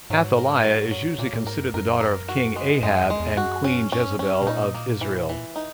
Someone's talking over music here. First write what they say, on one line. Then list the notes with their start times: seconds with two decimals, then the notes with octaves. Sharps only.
Athaliah is usually considered the daughter of King Ahab and Queen Jezebel of Israel.
0.10 G#2 F#3
0.38 A#4
0.64 F#3
0.91 F#3
1.18 A#2 A#3
1.33 A#2
1.46 G#2 A#4
1.60 F#2
1.74 F#2 A#4
2.00 A#4
2.29 F#4
2.56 G#3
2.82 F#2 G#3
3.00 E2
3.10 G#3
3.20 E2
3.37 F#2 F#4
3.64 C#4
3.92 C#4
4.19 C#4
4.42 B2
4.47 A#2 D#4
4.74 A#3
5.01 E3
5.29 E3
5.56 D#4